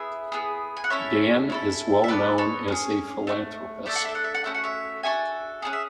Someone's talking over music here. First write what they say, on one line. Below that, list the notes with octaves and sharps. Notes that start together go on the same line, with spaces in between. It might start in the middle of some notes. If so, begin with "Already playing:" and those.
Dan is well known as a philanthropist.
Already playing: B3 E4 G#4 E5 G#5
B3 E4 G#4
G#5
F#5
C#4 E4 A4 C#5 E5
C#4 E4 A4
E5
B3 F#4 A4 B4 D5
A4 C#5
C#4 G#4
A3 D4 F#4
A3 D4 A4 E5
F#5
E5
F#5
E5
F#5
A3 C#4 F#4 E5
F#5
C#5 E5
D4 F#4 A4 E5 G#5
C#4 E4 G#4 F#5
E5